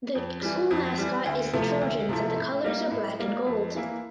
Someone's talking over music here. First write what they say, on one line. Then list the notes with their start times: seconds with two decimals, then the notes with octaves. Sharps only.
The school mascot is the Trojans and the colors are black and gold.
0.15 F2
0.43 E3 G3
0.71 F2
0.99 E3 G3
1.26 D2
1.53 C3 F3 A3 E4
1.81 D2
2.09 C3 F3 A3 E4
2.36 A2
2.64 G3 A#3
2.91 A2
3.19 G3 A#3
3.47 F2
3.75 E3 A#3 E4